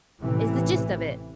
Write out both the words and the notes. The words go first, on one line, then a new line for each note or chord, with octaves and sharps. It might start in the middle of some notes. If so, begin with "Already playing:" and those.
is the gist of it.
A1 C3 E3